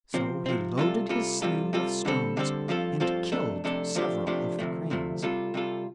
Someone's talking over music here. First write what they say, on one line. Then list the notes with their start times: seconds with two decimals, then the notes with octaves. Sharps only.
So he loaded his sling with stones and killed several of the Cranes.
0.14 C3 F3 C4
0.46 C3 F3 C4
0.77 C3 G3 F4 A4
1.09 C3 G3 F4 A4
1.42 C3 G3 F4 A4
1.73 C3 G3 F4 A4
2.05 D3 G3 C4 A4
2.37 D3 G3 C4 A4
2.68 G2 F3 C4 F4 A4
3.00 G2 F3 C4 F4 A4
3.32 F2 C3 A3 D4 A4
3.64 F2 C3 A3 D4 A4
3.95 C3 F3 A3 D4 G4
4.27 C3 F3 A3 D4 G4
4.59 D2 C3 F3 A3
4.90 D2 C3 F3 A3
5.22 C3 G3 F4 A4
5.54 C3 G3 F4 A4